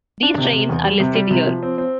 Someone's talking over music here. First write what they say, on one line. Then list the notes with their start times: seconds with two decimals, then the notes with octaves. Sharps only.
These trains are listed here.
0.23 D4
0.38 C3
0.53 C3
0.69 E2
0.85 G3
1.00 C3
1.15 G3
1.31 C3
1.47 F3
1.63 C4
1.78 C4